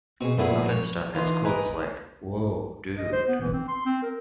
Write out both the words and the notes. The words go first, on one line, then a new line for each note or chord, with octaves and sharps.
Pufnstuf has quotes like Whoa, dude!
B2 C4 G#4 C#6
F#2 A#2 A3 B3 E4 G#4
F3
C#5
E3 D#4 F4 D#5 C6
D#4 A#4 B4 D#5 G#5
D#5
C5
B3
E3
C4
C6
C4
A#4